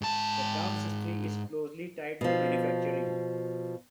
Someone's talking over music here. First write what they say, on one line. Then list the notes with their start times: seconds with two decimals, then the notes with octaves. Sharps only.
The town's history is closely tied to manufacturing.
0.02 G#2 A5
2.21 B2 F3